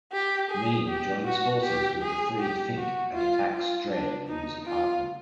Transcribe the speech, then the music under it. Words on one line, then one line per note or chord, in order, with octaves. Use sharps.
Mean joins forces with the freed Fink and attacks Dredd in his apartment.
G4
G#4
G4
F#4
G4
G#4
G4
F#4
F4
F4
D4
D#4
F4